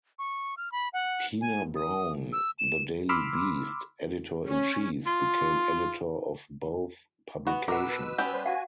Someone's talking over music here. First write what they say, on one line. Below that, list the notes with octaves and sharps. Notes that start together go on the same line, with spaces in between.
Tina Brown, "The Daily Beast" editor-in-chief, became editor of both publications.
C#6
F6
B5
F#5
G#5
D#6
E6
E7
B5 C6 D6 E6 F6
C#4
F4
B3 F#4
B2 A#4 B4 F#5 C#6 D6 E6
B3 C#4 G4
G3 B4 C5
F#4 F5 F#5 G#5